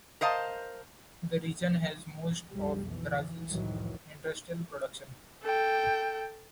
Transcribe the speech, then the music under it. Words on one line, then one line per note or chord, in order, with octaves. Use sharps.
The region has most of Brazil's industrial production.
A#4 C5 D#5 F5 A5
B1 F2 G3
E3
C2 F2 A2 D#3 E3 F#3
A4 G5